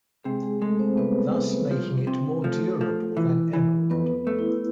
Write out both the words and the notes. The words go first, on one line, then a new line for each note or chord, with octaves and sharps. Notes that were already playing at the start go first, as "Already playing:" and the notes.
Thus making it more durable than emerald.
C3 G#3 G#4
G#3 G#4
G#3 A3 A4
C4 C5
C2 B3 B4
C2
F3
C3
F3 A3 A4
F3
E3
E3
F2 B3 B4
A3
E4